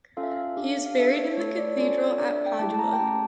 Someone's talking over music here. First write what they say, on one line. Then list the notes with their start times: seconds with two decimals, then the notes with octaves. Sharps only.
He is buried in the cathedral at Padua.
0.17 C#4 F4 A4 F5
0.23 E5
0.32 F5
0.57 D4 G4
0.86 F5
0.97 D4 A4 E5
1.18 C#5
1.37 A3 E4 A4 C#5
1.57 D5
1.68 C#5
1.78 C#4 F4 A4 D5
1.98 C#5
2.18 D4 A4 D5
2.33 E5
2.46 G5
2.59 A3 E4 G4 A5
2.74 A5
2.79 A#5
2.93 G5
3.00 A3 C#4 G4 A5